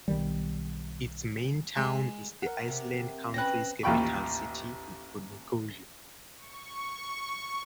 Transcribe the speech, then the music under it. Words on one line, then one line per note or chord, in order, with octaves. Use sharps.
Its main town is the island country's capital city, Nicosia.
B1 D#3 G3
G#3
A#4 F#5
C3
C4 C#4 B4 F#6 A#6
A1 D#2 F4 G5 B5 C#6
C#6